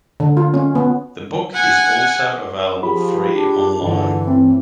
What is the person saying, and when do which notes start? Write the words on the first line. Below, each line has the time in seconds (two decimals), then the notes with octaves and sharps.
The book is also available free online.
0.20 D3
0.37 F4
0.54 C#4
0.75 B3
1.53 F#5 G#5
2.83 F3 F4 G4 G#4 B5
3.33 D4
3.82 G2 D3 E3
4.27 A2 C4